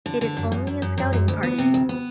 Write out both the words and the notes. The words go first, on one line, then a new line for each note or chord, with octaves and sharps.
It is only a scouting party.
D3
D3
F#2
F#2
F#2
F#2
F#2
F#2
D2
B3
C3
D2
B3